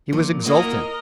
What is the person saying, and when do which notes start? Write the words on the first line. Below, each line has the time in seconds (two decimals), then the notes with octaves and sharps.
He was exultant.
0.13 A#2 F3
0.46 A#3 E4 F#4 A#4 D#5